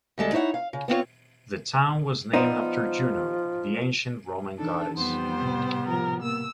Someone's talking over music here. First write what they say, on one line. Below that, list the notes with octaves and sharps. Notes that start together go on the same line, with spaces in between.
The town was named after Juno, the ancient Roman goddess.
D2 G3 G#3 A4
D#4 E4 C#5 E5 F#5
F5
C#3
B3 C4 F4 C#5
F3 B3 D#4 C5 D5
E3 D4 D#4 A4
F2 G3 B3 C5
A2 C3
F3 A#4
A#3 E6